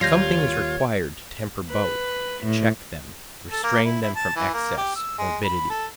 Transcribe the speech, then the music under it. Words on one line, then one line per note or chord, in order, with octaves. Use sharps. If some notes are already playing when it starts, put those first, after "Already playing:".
Something is required to temper both--to check them, restrain them from excess, morbidity.
D#2 G3 F4 C#5 G6 A#6 C7
B4
A2
A4
A#3
E4
E4
A5
E3
A#3
G4
E6
G#3
B5
A4